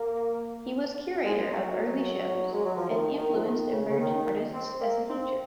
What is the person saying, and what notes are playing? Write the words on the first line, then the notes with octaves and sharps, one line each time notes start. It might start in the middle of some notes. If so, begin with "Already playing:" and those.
He was curator of early shows, and influenced emerging artists as a teacher.
Already playing: A#3
G#3
F#3
F#3
G#3
F#3
F3
D#3
D#3
F3
D#3
C#3
C#3
D#3
C4
A#3
C4